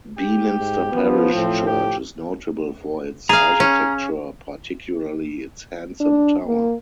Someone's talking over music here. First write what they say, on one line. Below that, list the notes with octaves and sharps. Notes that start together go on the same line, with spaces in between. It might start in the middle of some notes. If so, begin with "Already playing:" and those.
Beaminster parish church is notable for its architecture, particularly its handsome tower.
G4
G#2
F3 B3
A2 C4
G4
G#4 F5 A#5
C#4
D4
A#3